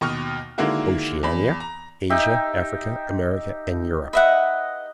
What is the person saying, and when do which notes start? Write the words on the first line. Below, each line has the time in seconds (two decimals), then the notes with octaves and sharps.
"Oceanica, Asia, Africa, America, and Europe."
0.01 D#2 B2 C#6 D#6 F6
0.58 D3 D#3 G#3 A#3 E4 F#4
1.23 E2 B5
1.60 A#5
2.10 D#4 G4 E5
4.13 B4 D#5 E5 F#5